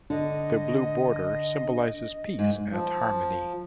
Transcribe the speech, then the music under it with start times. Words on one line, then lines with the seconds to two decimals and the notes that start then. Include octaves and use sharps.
The blue border symbolizes peace and harmony.
0.10 D3 D4 D#5
2.39 G#2
2.72 F3